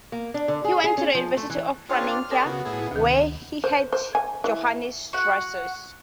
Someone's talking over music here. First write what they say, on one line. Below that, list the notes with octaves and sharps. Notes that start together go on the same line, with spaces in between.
He went to the University of Franeker, where he heard Johannes Drusius.
A#3
D4
D3
G#4
G#4
C#4
F3
A3
E3
C4 D4 F4 G#4 C#5 F5
D6 F6
G#4 A#4 D5 A5
C#3 B3 F#4
A2 E4 G#4
D2 C3 D#3
C5
C5
G#5
E3
F#4 F#5